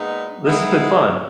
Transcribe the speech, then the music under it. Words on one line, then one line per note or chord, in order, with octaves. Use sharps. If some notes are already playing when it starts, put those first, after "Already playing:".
This has been fun.
Already playing: A#2 G#3 B3 D#4
D#3 G#3 B3 D#4 E4